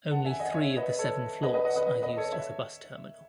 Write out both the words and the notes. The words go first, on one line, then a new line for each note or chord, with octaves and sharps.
Only three of the seven floors are used as a bus terminal.
F#5 A5
E5 G#5
D#5 F#5
C#5 E5
B4 D#5
A4 C#5
B4 D#5
B4 D#5
D#5 F#5
B4 D#5
B4 D#5
B4 D#5
A4 C#5
C#5 E5